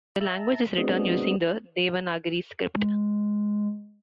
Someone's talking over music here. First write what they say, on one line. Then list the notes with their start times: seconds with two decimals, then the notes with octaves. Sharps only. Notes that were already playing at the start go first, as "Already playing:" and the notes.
The language is written using the Devanagari script.
0.20 E5 A5 A#5
0.78 G#3 B3 C4 D4 F#4 D#5
2.74 G#3